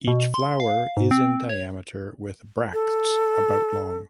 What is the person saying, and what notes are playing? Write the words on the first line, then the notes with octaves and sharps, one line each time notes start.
Each flower is in diameter with bracts about long.
B2
C6
F5
G#2
C4
C#5
A4